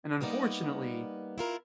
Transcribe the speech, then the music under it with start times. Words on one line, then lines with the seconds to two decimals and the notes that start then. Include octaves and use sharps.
and unfortunately,
0.21 G3 A#3 B3 D#4 D5
1.38 E4 F4 A#4